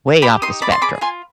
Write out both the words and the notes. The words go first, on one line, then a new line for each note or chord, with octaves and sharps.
way off the spectrum.
G4 B5 D6
D#4 C6 D#6
D5 B5 D6
C6
G#4 B5 D6
F4 G#5 C6